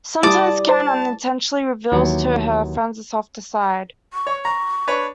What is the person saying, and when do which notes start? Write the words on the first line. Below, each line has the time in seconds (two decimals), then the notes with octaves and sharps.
Sometimes Karen unintentionally reveals to her friends a softer side.
0.23 G3 E4 G4 D5 A5 D#6
0.69 C5 A5
1.92 D#2 E3 F#3
4.13 C#6
4.27 C#5
4.45 A#5 C#6
4.87 D4 B4 C#5